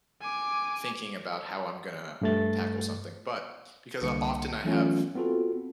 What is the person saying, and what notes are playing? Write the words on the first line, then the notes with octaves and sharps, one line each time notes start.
thinking about how I'm gonna tackle something. But because often I have
G#5 D6
G2 A3 A6
C2 D3 A#3 C#7
E3 F#3 A3 B3 C#4 F4
B3 C4 F4 F#4 A4